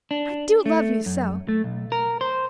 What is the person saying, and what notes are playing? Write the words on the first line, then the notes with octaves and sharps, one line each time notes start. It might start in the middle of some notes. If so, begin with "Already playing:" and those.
I do love you so!
D4
A3
F#2
A3
B1
A#4
C5